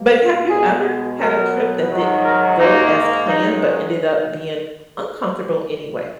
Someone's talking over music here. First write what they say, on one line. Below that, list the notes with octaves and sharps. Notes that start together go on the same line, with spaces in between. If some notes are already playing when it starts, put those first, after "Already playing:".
But have you ever had a trip that didn't go as planned but ended up being uncomfortable anyway?
Already playing: B2 A#3
B2 G#3 B3 G#4
B2 F#3 B3 A#4
G#2 D#3 F#3
A#4
G#2 D#3 A#3 D#4
F#2 D#3 G#3 D#4